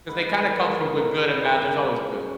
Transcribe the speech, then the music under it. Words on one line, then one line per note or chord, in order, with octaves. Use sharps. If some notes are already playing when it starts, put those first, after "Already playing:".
'Cause they kinda come from w good and bad. There's always good.
G#2 B4
E3 B3 A#4
G#2 A#4
G#4
A#4
E3 B3 B4
F#2 A#4
C#3 F#3 G#4
F#4